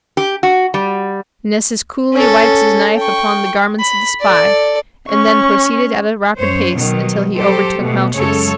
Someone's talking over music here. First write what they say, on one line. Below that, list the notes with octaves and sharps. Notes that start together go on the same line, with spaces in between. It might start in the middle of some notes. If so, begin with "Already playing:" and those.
Nessus coolly wiped his knife upon the garments of the spy, and then proceeded at a rapid pace until he overtook Malchus.
G4
F#4
G3
C#4 A4
G5 C#6
B5
A4 D5
C#4 C#6
F#2 C5 C#5
B2 D#3 F#3
F#3 G4 A4 C5
B2 A3
F#2 C#3 G#3 A4 C#5